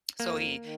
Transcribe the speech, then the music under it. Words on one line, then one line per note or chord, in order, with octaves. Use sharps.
So he
F2 A#3
D#3